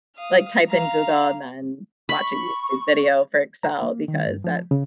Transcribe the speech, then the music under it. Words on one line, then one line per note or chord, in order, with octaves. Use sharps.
like, type in Google and then watch a YouTube video for Excel because that's
F5 D#6
F5 A#5
B5 C#6
A#5
A#3
D#3
G2
F3
C#3